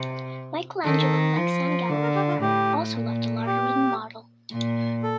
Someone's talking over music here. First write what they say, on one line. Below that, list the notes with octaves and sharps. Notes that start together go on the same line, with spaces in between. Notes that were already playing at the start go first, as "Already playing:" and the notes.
Michelangelo, like Sangallo before him, also left a large wooden model.
Already playing: C3
D#3 A4
F3
D3
A#4
G4
F4
A2 G4
A#2
G4
A#2
A4